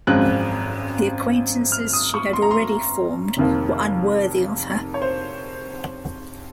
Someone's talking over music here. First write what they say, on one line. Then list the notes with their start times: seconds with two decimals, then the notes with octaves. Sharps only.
The acquaintances she had already formed were unworthy of her.
0.07 G#1 F#2 F3 G#3 C4 F#6
1.72 F6
1.93 D#6
2.14 C#6
2.33 C6
2.42 A#5
2.51 C6
3.37 F1 F2 D#3 A#3
4.94 C#5
5.02 C5